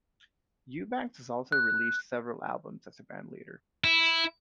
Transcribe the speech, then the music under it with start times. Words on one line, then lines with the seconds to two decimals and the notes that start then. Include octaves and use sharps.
Eubanks has also released several albums as a bandleader.
1.52 F#6
3.84 E4